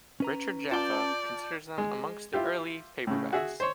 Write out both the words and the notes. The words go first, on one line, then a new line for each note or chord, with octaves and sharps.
Richard Jaffa considers them "amongst the early paperbacks".
C#4 B4 A#5
F4 D5 A5 G6
G#3
E4 F4 G4
A2 C#3
F#4 G#4 E5
C5 C#5